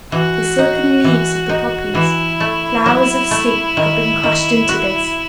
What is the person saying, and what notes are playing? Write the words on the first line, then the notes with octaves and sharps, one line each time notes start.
The silken leaves of the poppies--flowers of sleep--had been crushed into this.
E3 F#4
D#4
E3
D#4
E3 E4
A3
F#3
A3
D#3
D#3
F#4